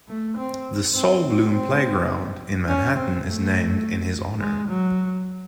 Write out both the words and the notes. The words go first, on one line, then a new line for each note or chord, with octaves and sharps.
The Sol Bloom Playground in Manhattan is named in his honor.
A3
C4
C4
C4
C#4
C4
A3
G#3
F#3